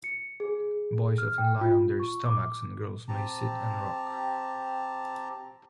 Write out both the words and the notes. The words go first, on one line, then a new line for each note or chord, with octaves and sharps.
Boys often lie on their stomachs and girls may sit and rock.
C#7
G#4
F6
G5
F4
C#6
D6
C4 G4 A5 A#5